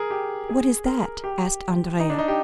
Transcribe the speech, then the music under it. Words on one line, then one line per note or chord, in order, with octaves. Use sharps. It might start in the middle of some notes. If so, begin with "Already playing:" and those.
"What is that?" asked Andrea.
Already playing: G#4 A#4
G4
G#4
A#4
G4
D#4
D4
D#4
G4